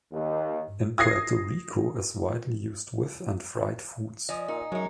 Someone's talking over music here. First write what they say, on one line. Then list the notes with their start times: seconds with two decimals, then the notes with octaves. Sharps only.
In Puerto Rico, is widely used with and fried foods.
0.12 D#2
0.98 D#6 G#6 A#6 C7
4.29 F3 D5 D#5 G#5 D#6
4.48 A#2 D#4
4.72 F#2 F#3 G#3 D#4 C#6